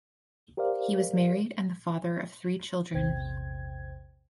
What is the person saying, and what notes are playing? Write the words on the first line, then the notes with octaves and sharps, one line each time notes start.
He was married and the father of three children.
G4 A#4 C5 D5 F5
A#1 E2 C3 C5 G5 G#6